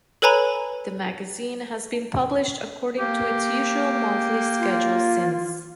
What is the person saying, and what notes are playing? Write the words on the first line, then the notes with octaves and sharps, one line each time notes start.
The magazine has been published according to its usual monthly schedule since.
A4 B4 C#5 G#5 A#5 B5
A#3 G4
F4